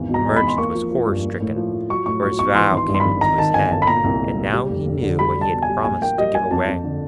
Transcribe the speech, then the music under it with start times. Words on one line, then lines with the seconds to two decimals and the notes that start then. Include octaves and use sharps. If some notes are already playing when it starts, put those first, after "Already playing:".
The Merchant was horror-stricken, for his vow came into his head, and now he knew what he had promised to give away.
Already playing: G#1 E2
0.09 B2
0.14 A#5
0.25 G#3
0.36 B5
0.42 E2
0.48 C6
0.58 A#3 C#6
0.75 F3
0.91 F3
1.07 G2
1.24 A#3
1.40 A2
1.56 F3
1.73 F3
1.90 F#3 C#6
2.06 A2 C#6
2.22 F#3 C#6
2.39 B1 C#6
2.56 E3 C6
2.72 G#1
2.77 C6
2.88 G2
2.94 C6
3.00 B5
3.05 G#1
3.21 D#3 A#5
3.38 D#3 A5
3.54 G1 G#5
3.71 G1 A5
3.82 B5
3.87 A#2 A#5
4.04 C2
4.20 G#3
4.37 A#2
4.53 G3
4.70 F1
4.86 F1
5.03 D3
5.19 G3 B5
5.36 G3
5.41 A5
5.52 B2
5.63 G#5
5.68 G3
5.84 A#1 G#5
6.02 A#3 G5
6.18 G3 D#5
6.35 G3 G#5
6.51 F2 A5
6.67 F2
6.84 D3